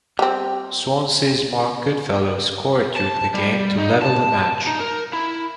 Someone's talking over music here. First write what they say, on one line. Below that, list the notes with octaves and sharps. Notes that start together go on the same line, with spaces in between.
Swansea's Marc Goodfellow scored during the game to level the match.
G3 C4
A5
G3
D#4
A5
D#4
A#4
E4